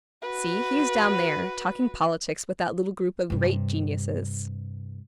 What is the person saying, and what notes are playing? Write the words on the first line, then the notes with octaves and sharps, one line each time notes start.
"See, he is down there, talking politics with that little group of great geniuses."
F#4 B4
G2 C3